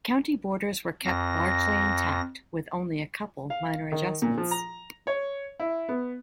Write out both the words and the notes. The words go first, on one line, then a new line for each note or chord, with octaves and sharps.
County borders were kept largely intact, with only a couple minor adjustments.
F2 A#6
F5
D#3
A#2
F3
A#5
C#5
E4
B3